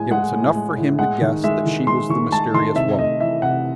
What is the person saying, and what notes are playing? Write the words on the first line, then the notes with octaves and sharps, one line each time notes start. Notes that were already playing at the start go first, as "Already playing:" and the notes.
It was enough for him to guess that she was the mysterious woman.
Already playing: A2 G#3 G#5
G#3 F#5
A2
G#3
A2
G#3 F#5
D#3
G#3 E5
D#3
G#3 C6
D#3 C#6
G#3 A5
D#3 C6
C3 E5
A3 D#5
E3 E5
C3 F#5